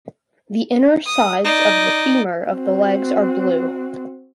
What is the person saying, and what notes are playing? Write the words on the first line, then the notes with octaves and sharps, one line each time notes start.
The inner sides of the femur of the legs are blue.
D#6
D#4 D5
C4 F#4